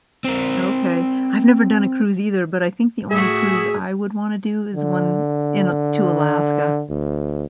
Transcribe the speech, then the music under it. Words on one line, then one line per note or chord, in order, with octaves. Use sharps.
Okay. I've never done a cruise either, but I think the only cruise I would wanna do is one in a to Alaska.
C4 A#4
A2 F#4 G#4 E5
D3
D2